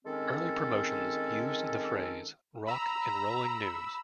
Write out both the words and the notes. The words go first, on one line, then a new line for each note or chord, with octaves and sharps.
Early promotions used the phrase "rock 'n' rolling news".
D#3 G#3 C4 C#4 A4
A#5 B5 E6